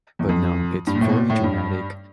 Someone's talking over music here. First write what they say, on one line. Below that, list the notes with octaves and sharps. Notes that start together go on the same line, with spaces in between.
But, no, it's very dramatic,
E2
F2
G2
A#2
A2
B2
A#2
A2
G2